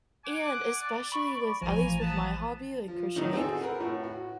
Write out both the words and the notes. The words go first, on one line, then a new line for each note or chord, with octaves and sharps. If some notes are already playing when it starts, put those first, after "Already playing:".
And especially with, at least with my hobby, like crocheting
F#5 G#5 D6
D5
B5 C#6
A1 F3 G#5 A#5
B3 A5
F3
A2 D#3 D#4
C4 F#4 G#4 A4
A#4 B4 F#5
A2
F#4